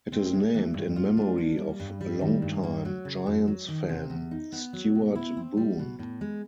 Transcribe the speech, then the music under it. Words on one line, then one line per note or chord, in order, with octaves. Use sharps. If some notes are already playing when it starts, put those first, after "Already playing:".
It is named in memory of long time Giants fan Stewart Boone.
C4
G#3
E3
G2
F4
D4
A#3
G3
G2
G3
D#3
G2
A#3
F#3
C#3
F#2
F#3
D#3
C3
E2
D#4
B3
F#3
B2
E4
C4
G3
B2
A2
G#3